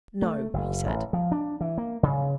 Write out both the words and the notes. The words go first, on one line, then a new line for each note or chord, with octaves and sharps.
"No," he said.
A3
F#1
A1
F3
D4
E3
A#3
C#3